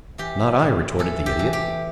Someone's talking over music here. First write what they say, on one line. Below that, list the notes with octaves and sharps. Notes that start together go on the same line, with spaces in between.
"Not I," retorted the Idiot.
E3 G4
A2
E3 A4
G4
E3
G4